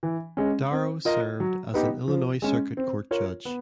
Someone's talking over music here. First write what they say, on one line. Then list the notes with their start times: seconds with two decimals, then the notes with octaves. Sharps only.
Darrow served as an Illinois Circuit Court judge.
0.03 E3
0.37 G#3 C#4
0.72 C4
1.05 F4 A#4 D#5
1.40 F#3
1.74 B3 D#4 G4
2.08 F3
2.42 G#3 C#4
2.77 C4
3.11 F4 A#4 C#5
3.45 B3